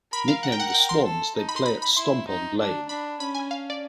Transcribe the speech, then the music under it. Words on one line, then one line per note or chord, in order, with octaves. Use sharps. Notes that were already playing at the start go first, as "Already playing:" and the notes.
Nicknamed the Swans, they play at Stompond Lane.
A#4 B5
F5
F#5
G5
F#5
F#5
G5
C6
A4
D#4
B5
C6
B5
B5
E4 C6
D#4
D4
D4 B5
C#4 B5
G#5
F5
D5